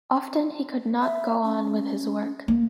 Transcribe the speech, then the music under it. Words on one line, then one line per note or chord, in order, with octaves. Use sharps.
Often he could not go on with his work.
E5
C#4
A#3